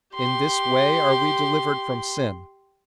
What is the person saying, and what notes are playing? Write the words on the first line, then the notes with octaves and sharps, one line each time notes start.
In this way are we delivered from sin.
G4 C6